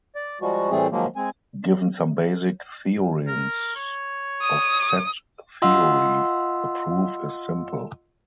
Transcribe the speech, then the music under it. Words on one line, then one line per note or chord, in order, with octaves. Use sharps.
Given some basic theorems of set theory, the proof is simple.
D5
F3 G3 G#3 F#4
A2 E3 G3 A3 C4 G#4
D#3 F3 F#3 G#3 A#3
G#3 C4 G#5
A#4
C#5
D#6
F4 D#5 F5 F#5 C6 E6